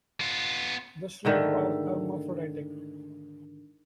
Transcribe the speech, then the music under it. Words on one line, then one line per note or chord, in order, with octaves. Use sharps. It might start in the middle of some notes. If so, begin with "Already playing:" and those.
The shrimp are hermaphroditic.
B3 F4
G#2 D3 D#3 A3